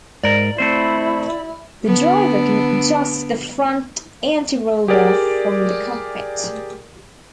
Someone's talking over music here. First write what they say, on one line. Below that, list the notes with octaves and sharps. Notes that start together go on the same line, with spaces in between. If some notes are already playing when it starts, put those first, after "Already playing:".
The driver can adjust the front anti-roll bar from the cockpit.
G#2 A#4 D5
A3 C4 E4 C5
D3 B3 D4
G4 G#4 A#4 D5